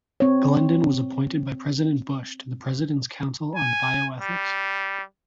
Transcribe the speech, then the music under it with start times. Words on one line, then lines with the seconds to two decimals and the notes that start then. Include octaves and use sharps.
Glendon was appointed by President Bush to the President's Council on Bioethics.
0.20 C4 C#5
3.55 G#5
4.21 G3